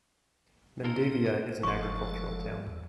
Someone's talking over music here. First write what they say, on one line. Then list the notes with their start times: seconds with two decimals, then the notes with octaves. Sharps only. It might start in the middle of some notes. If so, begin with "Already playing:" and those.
Mendavia is an agricultural town.
0.84 D#4 F4 A4 A#4
1.63 F#1 F3 G#3 D4 A4 C6 C#6
2.67 E2